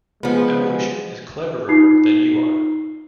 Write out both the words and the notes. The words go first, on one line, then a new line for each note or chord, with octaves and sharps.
Evolution is cleverer than you are.
F3 G#3 B3
D#4 F4 C7